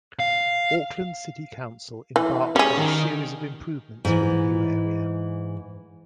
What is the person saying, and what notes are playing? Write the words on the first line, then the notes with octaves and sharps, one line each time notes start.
Auckland City Council embarked on a series of improvements for the new area.
F5
E3
G3 C#4 G#4
D#3
G#2 E3